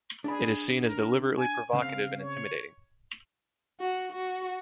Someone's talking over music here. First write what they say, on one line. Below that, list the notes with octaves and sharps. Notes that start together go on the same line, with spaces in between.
It is seen as deliberately provocative and intimidating.
D4 G#4 D5 B5
A#4
G#5
C#3 C4 F5
C#5
F#4
F#4